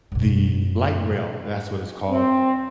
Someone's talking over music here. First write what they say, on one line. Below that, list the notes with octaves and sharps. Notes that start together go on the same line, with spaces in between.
the Light Rail that's what it's called,
F#2 B2
C4